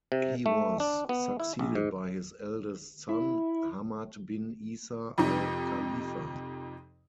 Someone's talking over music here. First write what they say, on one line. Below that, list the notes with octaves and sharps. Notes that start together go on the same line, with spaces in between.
He was succeeded by his eldest son, Hamad bin Isa Al Khalifa.
C3
A3
D4
B3
E4
A#1
G#2
E4
F2 C3 D#4